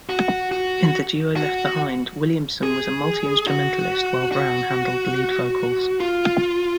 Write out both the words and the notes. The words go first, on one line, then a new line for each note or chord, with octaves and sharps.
In the duo left behind, Williamson was a multi-instrumentalist while Browne handled lead vocals.
F#4
F#4
F#4
G#4
F#4
F#4
F4